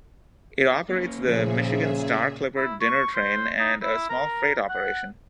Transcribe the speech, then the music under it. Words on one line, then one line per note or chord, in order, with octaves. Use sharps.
It operates the Michigan Star Clipper Dinner Train and a small freight operation.
A#3 C#4
A#2 C#3 F3 G#4 E5
E4
C#6
C5
D#4
E4
A#4
F#5